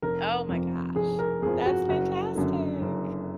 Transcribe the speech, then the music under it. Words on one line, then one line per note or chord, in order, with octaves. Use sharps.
Oh, my gosh. That's fantastic.
F1 A#4
F2 F3
F1 G#4
A#4
F2 F3 G#4
F#4
F#1 F#4
F#2 D3
F#1